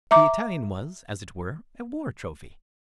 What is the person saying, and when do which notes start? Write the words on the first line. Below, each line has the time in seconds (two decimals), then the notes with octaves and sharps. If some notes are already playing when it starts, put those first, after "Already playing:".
The Italian was, as it were, a war trophy.
0.11 E5 A#5 D6